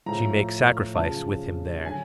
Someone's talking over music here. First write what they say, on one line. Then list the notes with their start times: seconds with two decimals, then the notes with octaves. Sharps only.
She makes sacrifice with him there.
0.06 A2 F3 A#5
0.95 F#2 C#3 F3 A5
1.85 D3 F#3 G#5